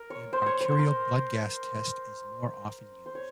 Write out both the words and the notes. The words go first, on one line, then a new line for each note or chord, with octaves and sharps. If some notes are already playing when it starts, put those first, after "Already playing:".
An arterial blood gas test is more often used.
Already playing: A#4
C#5
C5
C#5
C5
C5
A#4
C5
C#5